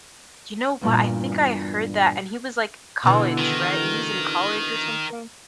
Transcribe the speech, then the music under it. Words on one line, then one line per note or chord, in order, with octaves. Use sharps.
You know what? I think I heard that, and he was, like, college, right? He was in college or something.
E2 G2 A#2
B2 D3 E3
D#3